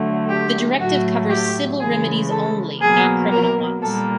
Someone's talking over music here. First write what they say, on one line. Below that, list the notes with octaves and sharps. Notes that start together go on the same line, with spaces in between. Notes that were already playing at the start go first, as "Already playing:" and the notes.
The directive covers civil remedies only-not criminal ones.
Already playing: D3 F#3 A3
G4
A2 F#3 A3 F#4
G4
C#3 E3 G#3 G#4
A4
B2 F#3 A#3 G#4
A#4
A#2 G3 A#3 A4